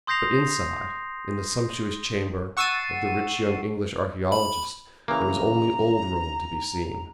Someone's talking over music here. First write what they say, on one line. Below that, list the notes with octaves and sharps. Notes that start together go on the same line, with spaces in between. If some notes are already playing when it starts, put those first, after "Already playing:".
But inside, in the sumptuous chamber of the rich young English archaeologist, there was only old Rome to be seen.
C6 D#6 G6 A#6 C7 F7
F#5 C#6 E6 A6 C7 D#7
B5
C#3 E3 A#3 A#5